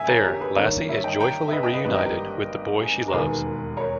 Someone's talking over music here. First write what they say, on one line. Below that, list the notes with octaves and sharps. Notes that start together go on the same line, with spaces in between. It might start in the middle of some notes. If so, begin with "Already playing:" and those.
There, Lassie is joyfully reunited with the boy she loves.
Already playing: G1 G2 A#3 E5 G#5
A#4 C#5
G4 A#4
G#4 B4
G2 D#3 A#3 A#4 C#5
C#5 E5
D#5 G5
G5 A#5
E5
B4 D#5
D#5 G5
B4 D#5
G#1 G2 G3 A#3 B4 D#5
D#5 G5
G4 A#4
G#4
A#4
E1 D#2 D#3 G#4 B4
A#4 C#5